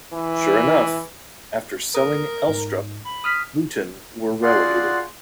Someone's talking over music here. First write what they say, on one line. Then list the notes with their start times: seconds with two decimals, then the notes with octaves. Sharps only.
Sure enough, after selling Elstrup, Luton were relegated.
0.13 E3
1.95 A#4 D#6
2.48 G#2
3.05 B5
3.24 D#6 F6 B6
4.43 F4 F#4 G#4 D5 F#5 C6